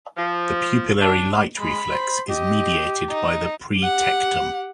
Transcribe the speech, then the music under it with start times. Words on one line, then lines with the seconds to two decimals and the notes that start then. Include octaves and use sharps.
The pupillary light reflex is mediated by the pretectum.
0.17 F3
1.01 D4
1.59 G#3 B5
1.91 C5
2.30 G4 D#5
3.11 D#4
3.78 G4 F#5